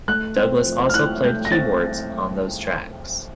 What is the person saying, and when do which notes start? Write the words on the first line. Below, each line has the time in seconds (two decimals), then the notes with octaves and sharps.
Douglas also played keyboards on those tracks.
0.08 A3 F#6
0.36 C4
0.65 F3
0.89 F6
0.94 E4 F#6
1.23 A3 G6
1.45 A#6
1.52 C4 A6